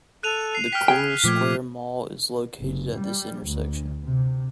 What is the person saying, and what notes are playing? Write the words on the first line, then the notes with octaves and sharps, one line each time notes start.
The Coral Square mall is located at this intersection.
A4 F#6 D#7 F7
C7
G5 F6 B6
G#4 G5
A#2 F3 A3 D6 G#6 B6
F#1
G3
D2
C3